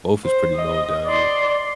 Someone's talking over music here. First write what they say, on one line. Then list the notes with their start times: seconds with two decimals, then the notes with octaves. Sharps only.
both is pretty known down here.
0.24 C5
0.55 D#5
1.06 D5 C6